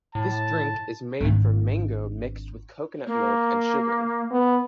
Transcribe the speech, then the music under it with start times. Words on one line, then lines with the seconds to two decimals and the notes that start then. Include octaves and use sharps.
This drink is made from mango mixed with coconut milk and sugar.
0.15 A2 A5
1.21 G#1 D4
3.07 A#3
4.31 B3